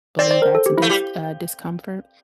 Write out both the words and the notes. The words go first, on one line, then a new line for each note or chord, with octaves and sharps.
believe that's a dense uh, discomfort,
C4 D5
D5
A#4
A4
G4
A3 E4
G3 G4